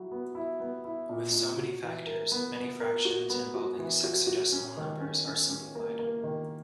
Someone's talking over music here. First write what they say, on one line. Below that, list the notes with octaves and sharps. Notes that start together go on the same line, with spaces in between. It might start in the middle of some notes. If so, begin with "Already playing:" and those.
With so many factors, many fractions involving sexagesimal numbers are simplified.
Already playing: F#3 E4
B3
E4
B3
E4
A#2
A#2
F#4
E3
A#4
B3
B3
A#4
F#4
B3
F#4
E3
F#4
F#4
C#4
D#3
C#4
C#4
C#4
A#3
A#3
D#3